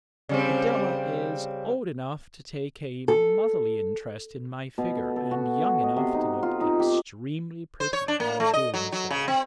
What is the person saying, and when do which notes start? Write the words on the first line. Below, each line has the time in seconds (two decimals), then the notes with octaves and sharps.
Adela is old enough to take a motherly interest in my figure, and young enough to look extremely pretty while doing so.
0.29 C#3 G3 C4
3.08 A4
4.78 B2
4.97 A4
5.16 A4
5.31 F#4
5.64 F#4
5.83 D#5
5.96 C3
6.14 D#4
6.43 F4
6.61 D#4
6.79 G4
7.80 C5
7.93 C#5
8.08 D4
8.20 A#3
8.40 A3
8.53 D#5
8.74 F#3
8.92 F#3
9.10 C#3
9.28 C4